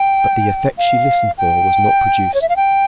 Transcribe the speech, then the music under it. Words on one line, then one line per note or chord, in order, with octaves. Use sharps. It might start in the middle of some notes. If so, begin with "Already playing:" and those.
But the effect she listened for was not produced.
Already playing: G5
F5
G5
C#5
E5
F5
G5